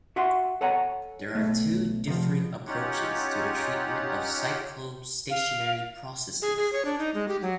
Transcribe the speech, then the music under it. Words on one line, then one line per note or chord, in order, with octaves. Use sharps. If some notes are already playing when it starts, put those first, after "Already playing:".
There are two differing approaches to the treatment of cyclostationary processes.
F#4 E5 F#5 C6
A4 C#5 F#5 G#5 A#5
B1 A3
C3 F3
C#4 D#4 F4 G4 C#5 F#5
F5
G#4
G#4
C#5
D4
D#4
G#3
G4
F#3